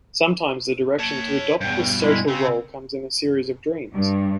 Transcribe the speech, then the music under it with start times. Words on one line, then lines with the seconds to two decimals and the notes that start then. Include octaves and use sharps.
Sometimes the direction to adopt this social role comes in a series of dreams.
1.00 C#5 A5
1.61 E2 G2 B2 G5
2.00 G3 G#3 E4
2.28 C#3 C4
3.95 G2